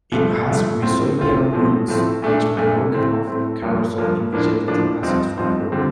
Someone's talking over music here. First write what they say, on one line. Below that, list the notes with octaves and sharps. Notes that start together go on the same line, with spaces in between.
It has rhizoidial roots, which, when broken off, can result in vegetative asexual growth.
G2 F3 A3
G2 F3 A3
A2 A3 C4 F4
A2 A3 C4 F4
A2 F3 A3 C4
A2 F3 A3 C4
A#2 A3 D4
A#2 A3 D4
A2 A3 C4
A2 A3 C4
G2 F3 A#3
G2 F3 A#3
A2 F3 A#3 D4
A2 F3 A#3 D4
G2 F3 C4 D#4
G2 F3 C4 D#4
D3 G3 C4 F4